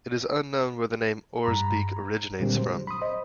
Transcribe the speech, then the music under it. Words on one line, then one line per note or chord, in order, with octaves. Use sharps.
It is unknown where the name Oirsbeek originates from.
G2 A#5 B5
A#2 D3 G3 G#3 A#3 C4
F#3 C5
B5 C6 D#6
C5 D#5